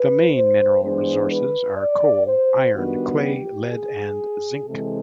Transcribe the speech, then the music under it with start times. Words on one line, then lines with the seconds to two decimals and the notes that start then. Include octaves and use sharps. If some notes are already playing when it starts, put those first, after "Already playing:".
The main mineral resources are coal, iron, clay, lead and zinc.
Already playing: B4
0.34 C5
0.82 E3 G#3 B3 D4 C5
1.29 B4
1.78 D5
2.26 C5
2.74 D#3 G3 B3 D4 F#4
3.23 G4
3.71 G#4
4.66 C3 E3 G#3 C4 A4